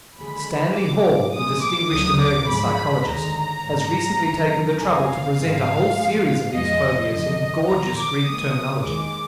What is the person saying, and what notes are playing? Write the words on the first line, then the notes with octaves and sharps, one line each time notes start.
Stanley Hall, the distinguished American psychologist, has recently taken the trouble to present a whole series of these phobias in gorgeous Greek terminology.
D#2 D3 F3 G#3 B5
A#2 F#3 D6
A#2 F3 G#3 D#6
D6
D2 D3 F#3 D#6
D6
G#2 F3 G#3 B5
D#2 D3 G#3 A#5
G#2 F#3
F#2 D3 F#3
F2 D3 G#3 G#5
F5
G#2 F3 G#3
A#2 F3 G#3
F2 F3 G#3 D#5
F#2 D3 F3 D#5
D#2 D3 F3 A#5
D6
A#2 F3 G#3 D#6
D#2 D#3 G#3 D6